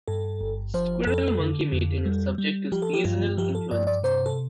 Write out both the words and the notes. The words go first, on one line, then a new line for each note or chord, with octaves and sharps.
Squirrel monkey mating is subject to seasonal influences.
G2 A4
G1
F3 C5
F2 A4
D3
F2
G3
G3
F3 G4
A4
G4
G2 F4
F3 G4
A4
G2 D5
D5
C3 C5
A4